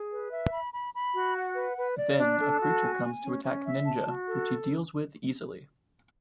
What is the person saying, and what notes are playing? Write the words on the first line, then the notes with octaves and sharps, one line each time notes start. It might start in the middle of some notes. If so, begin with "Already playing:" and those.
Then, a creature comes to attack Ninja which he deals with easily.
Already playing: G#4
B4
E5
B5
B5
B5
F#4
F#5
B4
B4
D5
D4
A4
F#4
G#5
G#5
C#4
C#4
E5
A5
F#4
A4